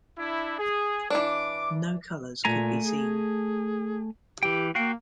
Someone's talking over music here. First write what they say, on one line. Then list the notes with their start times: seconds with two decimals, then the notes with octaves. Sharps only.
No colors could be seen.
0.18 D4 E4
0.59 G#4
1.10 E3 D4 D6
2.45 A#2 A3 G#5 A#5
2.84 G#4
4.43 E3 G4 G5
4.75 A#3 F#4 F5 G5